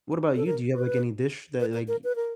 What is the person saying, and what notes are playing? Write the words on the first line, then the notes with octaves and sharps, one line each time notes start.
What about you? Do you have, like, any dish that, like,
A4
A#4
B4
B4
A#4
A#4
B4
A#4